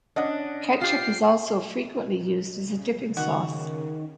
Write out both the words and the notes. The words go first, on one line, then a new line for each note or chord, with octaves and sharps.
Ketchup is also frequently used as a dipping sauce.
C#4 D4 D#5 F#5
F4 G4 C7
C#3
D#3 F#4